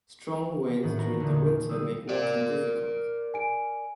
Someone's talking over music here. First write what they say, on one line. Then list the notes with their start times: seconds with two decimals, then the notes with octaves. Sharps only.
Strong winds during the winter make walking difficult.
0.83 A2 D#3 E3 F#4
0.96 F#4 B4 A#5
1.20 E2 A#2 D3 B3 C#4
1.35 D#3 A#3
1.69 G3 G#4 D#6 E6
2.09 A#4 D5
3.34 G#5 D7